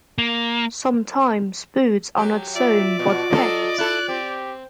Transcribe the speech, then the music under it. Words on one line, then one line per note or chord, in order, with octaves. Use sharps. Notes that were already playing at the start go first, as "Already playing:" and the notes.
Sometimes boots are not sewn, but pegged.
A#3
F#3 G4
F4 D5 E5
B2 F#4
F#3 A4 D#5
E4 A4 F#6
C4 G4